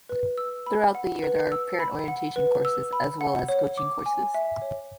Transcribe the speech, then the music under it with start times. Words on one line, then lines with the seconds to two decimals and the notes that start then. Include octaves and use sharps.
Throughout the year, there are parent orientation courses as well as coaching courses.
0.09 B4
0.38 E6
0.66 B5
0.95 F#5
1.23 B4
1.52 E6
1.80 B5
2.08 F#5
2.36 B4
2.65 E6
2.93 B5
3.21 F#5
3.48 C#5
3.77 D6
4.06 G#5
4.34 E5
4.62 C#5